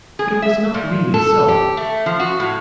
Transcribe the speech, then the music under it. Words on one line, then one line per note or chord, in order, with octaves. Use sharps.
But it was not really so.
G#4
E5
A#2
A4
G4
A3
F3
F#4
A2